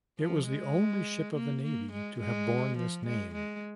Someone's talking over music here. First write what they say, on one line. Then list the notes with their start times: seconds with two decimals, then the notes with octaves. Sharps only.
It was the only ship of the Navy to have borne this name.
0.19 F3
0.48 G#3
1.34 A#3
1.63 A#3
1.92 G#3
2.20 G#3
2.78 F3
3.06 G#3
3.34 G#3